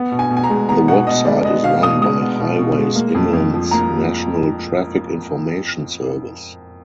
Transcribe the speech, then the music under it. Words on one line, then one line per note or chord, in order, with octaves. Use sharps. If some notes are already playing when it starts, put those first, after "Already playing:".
The website is run by Highways England's National Traffic Information Service.
Already playing: B3
B2
G#5
B2
G#5
A#5
G#3
B3 A#5
B2 F#5
B2 D#5
G#3 D5
B3 D#5
B2 F5
B2 D#6
G#3 D#6
B3
B2
B2
G#3
A#3
F2
F2
F3
A#3 A#5